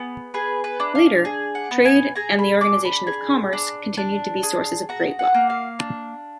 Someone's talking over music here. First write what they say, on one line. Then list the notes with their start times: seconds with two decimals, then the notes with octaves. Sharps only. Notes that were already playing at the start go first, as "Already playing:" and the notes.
Later, trade and the organization of commerce continued to be sources of great wealth.
Already playing: B3 G#4
0.34 G#4 B4
0.64 B4
0.80 D4
0.95 F5
1.25 G#4
1.55 F#5
1.71 B3
1.85 G#5
2.15 G#4 A#5
2.39 B5
2.61 D4 D6
2.85 B5
3.07 G#4
3.53 D4
3.97 D4
4.43 G#4
4.89 F#4 A#5
5.19 F#5
5.34 A#3
5.50 F5
5.79 D4